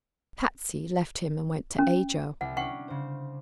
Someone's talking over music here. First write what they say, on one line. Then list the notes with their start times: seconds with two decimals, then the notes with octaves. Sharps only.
Patsy left him and went to Ajo.
1.79 C#4
2.41 C2 F#5
2.57 C#4 D4 F#5 G5 C#6
2.88 C#3 C5